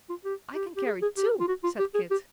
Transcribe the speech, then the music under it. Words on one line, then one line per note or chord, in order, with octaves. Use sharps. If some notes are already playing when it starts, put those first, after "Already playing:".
"I can carry two," said Kit.
F4
G4
G4
G4
G#4
G#4
G4
F4
F#4
F4
G4
G#4
G4